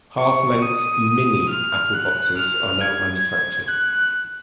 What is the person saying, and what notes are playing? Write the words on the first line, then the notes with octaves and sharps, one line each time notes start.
Half length "Mini" apple boxes are now manufactured.
C#6
D#6
F6
F#6
F6
G#6
F#6